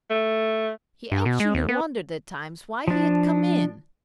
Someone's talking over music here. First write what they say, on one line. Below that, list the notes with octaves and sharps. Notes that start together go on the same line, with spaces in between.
He actually wondered at times why he had come in.
A3
G2
B2
G#3
D#2
B3
F3 D4